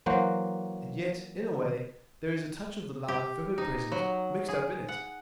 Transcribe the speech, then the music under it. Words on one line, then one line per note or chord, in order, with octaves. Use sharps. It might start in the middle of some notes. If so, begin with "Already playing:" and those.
And yet, in a way, there is a touch of the live, vivid present mixed up in it.'
E3 F#3 A#3 F#4 C5
G4
D#4
F#3
G#4
F#5